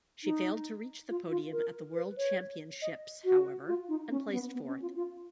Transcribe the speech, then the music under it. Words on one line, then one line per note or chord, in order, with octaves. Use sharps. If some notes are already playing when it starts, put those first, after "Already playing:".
She failed to reach the podium at the world championships however, and placed fourth.
D#4
F4
F4
A#4
B4
C#5
D#5
F#4
F4
D#4
C#4
C#4
B3
B3
C#4
F4
F4